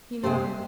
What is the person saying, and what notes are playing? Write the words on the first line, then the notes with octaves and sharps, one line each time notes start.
He nodded.
C3 A#3 G4 C5